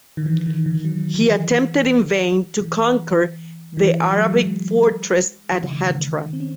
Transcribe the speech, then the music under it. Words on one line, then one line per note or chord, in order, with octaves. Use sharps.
He attempted in vain to conquer the Arabic fortress at Hatra.
D#3
E3
D#3
D#3
F#3
E3
E3
E3
F#3
G#3
E3
C#3
D#3
C#3
D#3
C4
C#4